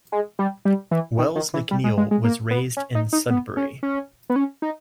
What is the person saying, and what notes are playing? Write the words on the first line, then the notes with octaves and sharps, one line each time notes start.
Wells-McNeil was raised in Sudbury.
G#3
G3
G3
E3
D#3
D#3
E3
G3
G#3
G#3
G#3
A#3
B3
C#4
D#4
D#4
B3
C#4
C#4
B3
C#4
D#4